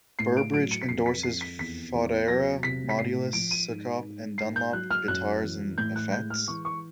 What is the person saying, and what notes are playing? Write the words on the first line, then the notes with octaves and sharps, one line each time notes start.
Burbridge endorses Fodera, Modulus, Sukop and Dunlop guitars and effects.
A2 C7
D7
F#3 D7
C#7
B6
F2 C7
B6
F2 C7
B6
E2 B6
E2
F#3 A#6
C3 B6
B6
A2 C7
F3 D7
D#7
G#2
G#2
G#2 C7
G6
F#3 F#6
F6
F#2 F#6
E3
A2 G6
F#6
G#3 G6
F6
E3 C#6
C#6